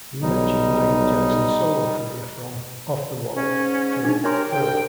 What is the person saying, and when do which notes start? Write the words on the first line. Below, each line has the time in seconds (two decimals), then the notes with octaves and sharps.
He nurtured Michael Jackson's solo career from "Off the Wall" through "Thriller".
0.22 B1 G3 D#4
3.36 G#2 C#4
4.05 D4 D#4
4.24 D4 G4 A#4 C#5 C6
4.51 C2 G5